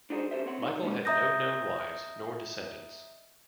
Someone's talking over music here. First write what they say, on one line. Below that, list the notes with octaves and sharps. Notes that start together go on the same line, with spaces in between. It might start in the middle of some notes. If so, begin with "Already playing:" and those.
Michael had no known wives nor descendants.
D4 D#4 F#4 G#4 C5
C#4 G4 A4 C5 E5
C4 C#5 F#5
D#4
G3 G#3 A#3 B3 C#4 D#4
D#5 E5 A#5 D#6 G6 A#6